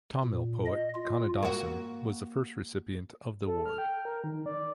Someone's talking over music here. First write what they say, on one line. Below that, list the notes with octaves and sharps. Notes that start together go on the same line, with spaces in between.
Tamil poet Kannadasan was the first recipient of the award.
A#2
D#5
F4
A#3 F#4
A4
F6
G5
A#4
D#3
D5